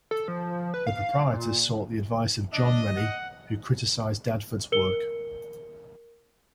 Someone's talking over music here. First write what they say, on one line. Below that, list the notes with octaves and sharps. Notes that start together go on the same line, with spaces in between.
The Proprietors sought the advice of John Rennie, who criticised Dadford's work.
A4
F3
B4
F5
A#2
D4 D#5
F#5
A#4 C#7 G7